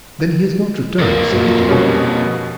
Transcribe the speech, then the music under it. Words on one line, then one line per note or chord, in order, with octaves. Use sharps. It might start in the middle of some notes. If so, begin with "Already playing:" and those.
"Then he has not returned?" said the duke.
F2 A#3
A#2 F#3
B2 G3 C#4